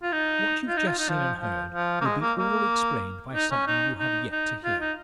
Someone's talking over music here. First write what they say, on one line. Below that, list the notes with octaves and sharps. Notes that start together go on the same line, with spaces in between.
What you've just seen and heard, will be all explained by something you have yet to hear.
F4
D#4
F4
D#4
F4
D#4
F3
F3
F3
A#3
G#3
A#3
A#3
D#4
C#4
D#4
D#4
D#4
F4
D#4